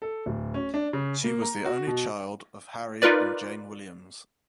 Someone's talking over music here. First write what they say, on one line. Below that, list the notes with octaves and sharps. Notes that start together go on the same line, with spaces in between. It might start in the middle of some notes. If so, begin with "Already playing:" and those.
She was the only child of Harry and Jane Williams.
A4
D1
C#4
D4
C#3
A#3
A#5
F#4
B2
D#4 F4 A#4 B4 D5